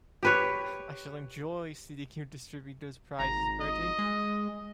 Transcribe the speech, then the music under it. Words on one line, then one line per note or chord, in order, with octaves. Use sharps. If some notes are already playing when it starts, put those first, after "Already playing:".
I shall enjoy seeing you distribute those prizes, Bertie.
G4 B4 C#5
G#1 A#5
D#5
G#3